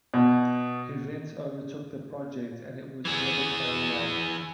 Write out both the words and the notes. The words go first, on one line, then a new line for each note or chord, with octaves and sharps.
Events overtook the project and it was never carried out.
B2
E3 G#4